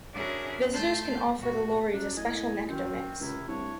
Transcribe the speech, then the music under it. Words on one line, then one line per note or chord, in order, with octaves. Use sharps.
Visitors can offer the lories a special nectar mix.
C#4 D4 E4 F#4 G#4 A#4
A3 A5 C6 G6
A#2 F#4
F#2 F#3 D4
A2 D#5 G#5
F#2 D#3 C4
C#2 C3 D#3 E4
C2 A3 D4 C#5